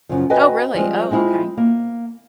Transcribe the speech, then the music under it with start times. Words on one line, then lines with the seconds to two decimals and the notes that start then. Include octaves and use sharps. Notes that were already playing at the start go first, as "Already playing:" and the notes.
Oh, really? Oh, okay.
0.09 F#2 C#3 F3
0.30 F#4 B4 D#5 G5 G#5
0.74 F3 G3 G#3 C4
1.11 G#3 C4 E4 F4
1.57 A#3